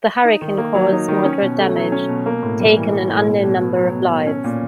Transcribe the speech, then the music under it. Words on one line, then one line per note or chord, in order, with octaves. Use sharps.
The hurricane caused moderate damage, taking an unknown number of lives.
D#4
D#3
A#3
F#3
D#4
D#3
C#4
B2
A3
F#3
C#4
B2
A#3
A2
G3
E3
A#3
A2
B2
B2
B3
F#3
B2
B2
C#4
A#2